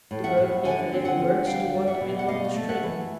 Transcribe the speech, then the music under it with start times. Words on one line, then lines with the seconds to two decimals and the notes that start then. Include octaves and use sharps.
The boat gave a little lurch toward the middle of the stream.
0.11 A2
0.24 E5 F#5
0.38 A2
0.64 D3 F#5 G#5
0.92 C4
1.05 F#5 G#5
1.19 D3
1.46 G3 F5 G5
1.74 G3
1.88 E5 F#5
2.01 B2
2.19 F#5
2.28 A3 D#5 F5
2.56 A3
2.69 E5 F#5
2.83 E3